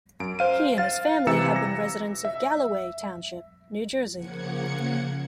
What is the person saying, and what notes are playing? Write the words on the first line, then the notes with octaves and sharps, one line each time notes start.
He and his family have been residents of Galloway Township, New Jersey.
F#2 D7
C5 F5 D#7
F5 A6
C3 E3 A#5 E6 C#7 E7
A#6
E5
C#3 F3 A#3 F#5 G#6 C#7